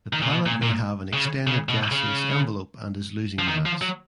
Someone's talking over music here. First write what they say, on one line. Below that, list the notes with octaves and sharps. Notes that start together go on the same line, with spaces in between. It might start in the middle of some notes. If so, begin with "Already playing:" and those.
The planet may have an extended gaseous envelope and is losing mass.
D#3
A#2
B2
A#2
A#2
C#3
C#3
B2
C#3
F3
D#3
F3
F#3